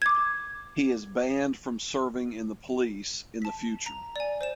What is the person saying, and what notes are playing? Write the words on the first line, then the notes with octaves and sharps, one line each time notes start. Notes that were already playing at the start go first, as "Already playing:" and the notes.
He is banned from serving in the police in the future.
D6 G#6
A5 B6
A#5
D5 G#5
C5 D5 E7